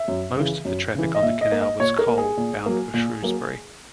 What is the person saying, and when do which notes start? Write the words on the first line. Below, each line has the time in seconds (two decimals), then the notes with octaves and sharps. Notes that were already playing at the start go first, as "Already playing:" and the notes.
Most of the traffic on the canal was coal, bound for Shrewsbury.
Already playing: E5
0.08 F#2
0.37 C#3 E3
0.65 F#2
0.95 C#3 E3
1.15 D#5
1.22 A#2 E5
1.41 D#5
1.52 A#3
1.61 D#5
1.80 A#2 C#5
1.99 A#4
2.08 A#3
2.18 G#4
2.37 A#2
2.66 F#3 A#3
2.94 A#2
3.22 F#3 A#3